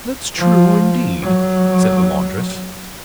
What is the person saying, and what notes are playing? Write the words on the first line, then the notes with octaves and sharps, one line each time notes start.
"That's true, indeed!" said the laundress.
F3
F#3